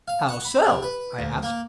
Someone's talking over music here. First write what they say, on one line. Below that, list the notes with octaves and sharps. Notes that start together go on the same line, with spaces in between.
"How so?" I asked.
F5
F#5
B5
C3
B4
D2
A#3